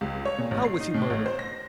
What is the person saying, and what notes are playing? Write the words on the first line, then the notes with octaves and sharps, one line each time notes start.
How was he murdered?
C#2
C#5
A#2
A1
C7
D#4
A2
A1
C5
A#6